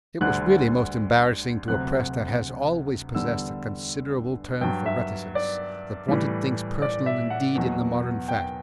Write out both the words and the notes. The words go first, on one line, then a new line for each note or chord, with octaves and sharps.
It was really most embarrassing to a press that has always possessed a considerable turn for reticence, that wanted things personal indeed in the modern fashion.
D2 D3 G3 F#6
D2 C3 F#3 F#6
E2 D3 G3 E6
G2 F#3 G5
E5
D5
A2 E3 G3
D5
E5
F#5
E2 B2 F#3
G5